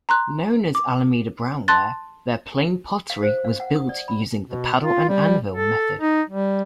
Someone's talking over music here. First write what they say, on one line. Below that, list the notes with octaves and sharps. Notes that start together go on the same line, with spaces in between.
Known as Alameda Brown Ware, their plain pottery was built using the paddle-and-anvil method.
A#5 C6 F#6
D6
A5 C6 F#6 A6
F5
C5
F5
F#5
D#6
D5
B5
B2
F4
G3
A4
D#4
G3